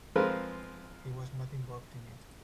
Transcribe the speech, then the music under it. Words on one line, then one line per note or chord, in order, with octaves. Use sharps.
He was not involved in it.
F3 G#3 C4 F4 A#4 B4